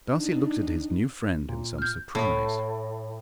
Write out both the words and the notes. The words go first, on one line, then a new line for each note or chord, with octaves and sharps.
Darcy looked at his new friend in some surprise.
D4 D#4
A#2
F6 G6
A2